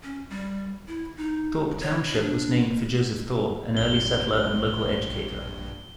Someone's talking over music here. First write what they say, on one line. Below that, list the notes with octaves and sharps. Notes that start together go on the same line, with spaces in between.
Thorpe Township was named for Joseph Thorpe, an early settler and local educator.
C#4
G3
E4
D#4
C#5
D4
A#1 G2 G7